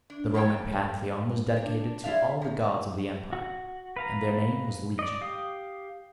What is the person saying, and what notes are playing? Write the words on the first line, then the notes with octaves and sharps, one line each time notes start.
The Roman Pantheon was dedicated to all the gods of the Empire, and their name was legion.
D4
F3 A#3 A4 C#5 G5
D4
E4 F4 D5 E5 F5
C3 D#3
F#4
B4 F5 A#5
D5 D#5
G4 F5 D#6